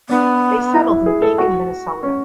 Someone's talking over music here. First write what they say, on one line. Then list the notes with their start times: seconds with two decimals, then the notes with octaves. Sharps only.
They settled in Eagan, Minnesota.
0.09 B3 D4
0.73 E4
0.89 E4
1.06 G#4
1.22 A4
1.38 F#4
2.03 C#4